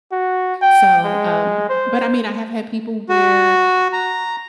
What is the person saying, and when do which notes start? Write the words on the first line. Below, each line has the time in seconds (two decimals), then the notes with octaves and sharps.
so, um but, I mean, I have had people where,
0.12 F#4
0.62 G5
1.04 G#3
1.70 C5
3.09 F#4
3.93 A#5